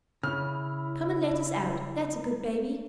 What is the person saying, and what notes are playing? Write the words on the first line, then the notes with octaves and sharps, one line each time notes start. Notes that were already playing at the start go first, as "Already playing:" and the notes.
Come and let us out, that's a good baby.
C#3 E4 F6